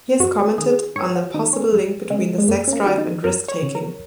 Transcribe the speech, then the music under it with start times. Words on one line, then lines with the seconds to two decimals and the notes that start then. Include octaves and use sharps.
He has commented on the possible link between the sex drive and risk taking.
0.20 F#2 F#4
0.58 D#3 G#4
0.96 G#2 C#5
1.15 F#4
1.34 D#3 D#4
1.53 C#4
1.72 F#2
2.10 C#3 G#3
2.38 G#3
2.48 F#2 A#3
2.68 C#4
2.73 A#3
2.85 D#3 F#4
2.98 D#4
3.24 F#2 A#4
3.48 C#5
3.62 C#3
3.75 A#4